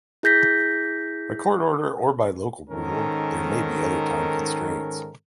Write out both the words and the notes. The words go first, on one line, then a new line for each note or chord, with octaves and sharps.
By court order, or by local rule, there may be other time constraints.
E4 G#4 G6 A#6 B6
G#2 D#3 C#4 A4 A#4